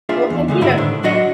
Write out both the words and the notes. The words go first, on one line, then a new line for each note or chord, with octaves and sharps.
Well, thank you,
A#3 D4 F4 G#4 E5 F5
E2
D3 G#3 A3
G#2 D3 E4 G4
A2 D3 D#3
F#3 D4 F#4 D#5 F#5